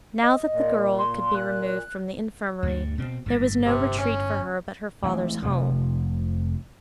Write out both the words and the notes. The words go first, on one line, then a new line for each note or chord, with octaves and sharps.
Now that the girl could be removed from the infirmary, there was no retreat for her but her father's home.
D#5
A#2
C6
F#6
D2 G2
B2 C4
G1 A2
C3
C#4
E3 G#3 A3 C4
F1 C3 F3